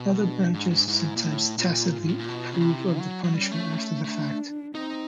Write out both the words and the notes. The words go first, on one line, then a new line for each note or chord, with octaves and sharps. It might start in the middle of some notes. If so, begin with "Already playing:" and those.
Other branches sometimes tacitly approve of the punishment after the fact.
Already playing: B2
D4
G#2
G#2
G#2 E4
A#2
A2
A#2 F4
G#2
A2
A#2
B2
C#3
C3 E4
F#3
F#3
G3 C#4
A3
A3 D4
C4 D#4